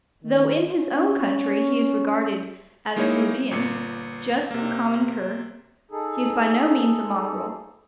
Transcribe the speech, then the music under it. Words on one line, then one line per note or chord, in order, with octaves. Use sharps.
Though in his own country he is regarded as plebeian, just a common cur, he is by no means a mongrel.
D#3
C#4
G#3 A#3 D#4 E4 G#4 C#5
G1 A#2 C#7
C3 A#3
D#4 G#4 A4